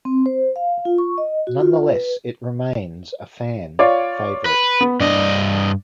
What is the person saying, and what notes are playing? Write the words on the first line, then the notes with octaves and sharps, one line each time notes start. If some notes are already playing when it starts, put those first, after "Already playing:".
Nonetheless, it remains a fan favorite.
C4
C5
F5
F4
C#6
D#5
F#4
F4
B4
F4 C#5 D5
B4
B3
G2 D4 D#5